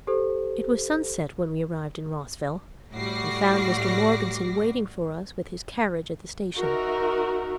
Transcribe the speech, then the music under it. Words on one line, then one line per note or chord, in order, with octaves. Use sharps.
It was sunset when we arrived in Rosville, and found Mr. Morgeson waiting for us with his carriage at the station.
G4 A4 C5
A2 G3 F#4 D6 A#6 C7
D#4 F#4 A#4 E5